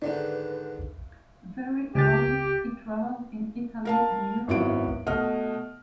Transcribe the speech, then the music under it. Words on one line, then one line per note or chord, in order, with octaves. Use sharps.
Very early he traveled in Italy and Europe.
G#2 D3 D#3 D4 B4
C#2 G4 A6
A#4 F5 A5
G#1 F#2 B3 E4 F#4 D7
B2 A3 D#5 F#5 F6